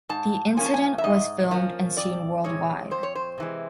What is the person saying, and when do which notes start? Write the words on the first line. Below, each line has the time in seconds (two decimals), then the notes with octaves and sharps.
The incident was filmed and seen worldwide.
0.09 G#2 A5
0.57 F3 A#3 C#4 G#5
0.66 A5
0.74 G#5
0.98 E5
1.04 G#2 D#5
1.51 F3 A#3 C#4
1.97 F2 D5
2.44 C3 E3 G#3 C#5
2.91 F2 C5
3.03 C#5
3.15 C5
3.38 C3 E3 G#3